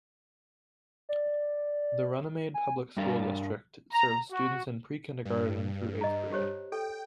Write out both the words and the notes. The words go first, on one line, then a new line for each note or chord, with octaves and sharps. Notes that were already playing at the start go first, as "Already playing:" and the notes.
The Runnemede Public School District serves students in pre-kindergarten through eighth grade.
D5
G#5
G2 G3 D4 A#4 F5
A#5
F#4
G2
D#5 A#5
G4 C5 C#5
A4 G5